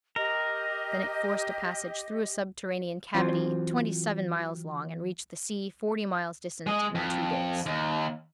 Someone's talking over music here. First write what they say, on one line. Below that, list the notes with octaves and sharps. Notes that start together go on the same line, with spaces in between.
Then it forced a passage through a subterranean cavity twenty-seven miles long, and reached the sea forty miles distant, in two days.
G4 A#4 D#5
E3 F#3 C4 F4 C5
G#3 D#5
F2
D#2